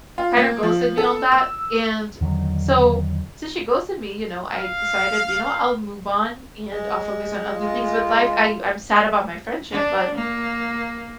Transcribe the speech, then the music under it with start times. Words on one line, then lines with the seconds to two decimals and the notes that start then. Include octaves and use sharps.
kinda ghosted me on that, and, so, since she ghosted me, you know, I decided, you know, I'll move on and I'll focus on other things with life, I I'm sad about my friendship, but
0.18 F4
0.37 A#3
0.63 F3
0.98 A4
1.32 E6
2.21 E2 D3 D#3 F#3
4.54 F5
6.72 G#3
7.54 F4
9.72 D4
10.16 A#3